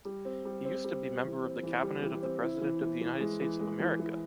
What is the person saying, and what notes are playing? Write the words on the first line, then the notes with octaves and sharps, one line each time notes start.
He used to be member of the Cabinet of the President of the United States of America.
G3
C4
G3
C4
G3
C4
E3
C4
E3
G3
E3
C4
E4
E3
E3
E3
G#3
E3
G#3
E3
E3